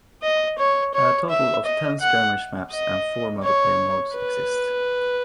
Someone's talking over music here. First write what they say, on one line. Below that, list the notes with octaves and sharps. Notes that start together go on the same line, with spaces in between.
A total of ten skirmish maps and four multiplayer modes exist.
D#5
C#5
C#5
E5
D#5
F#5
D#5
C#5
B4